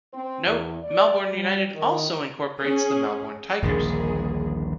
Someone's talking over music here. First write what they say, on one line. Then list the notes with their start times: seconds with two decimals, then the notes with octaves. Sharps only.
Note, Melbourne United also incorporates the Melbourne Tigers.
0.13 C4
0.46 E2
0.84 D5
1.32 G3
1.74 D#3
2.59 C#4 G#4
3.62 D#1 A#1 D3 G#3 A#3 G#4